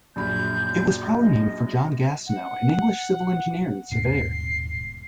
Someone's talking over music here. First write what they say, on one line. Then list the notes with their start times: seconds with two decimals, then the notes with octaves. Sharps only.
It was probably named for John Gastineau, an English Civil Engineer and Surveyor.
0.16 A#1 F#2 B5 G6
1.16 D#5
2.27 F#5
3.92 D#1 G#2 B2 C7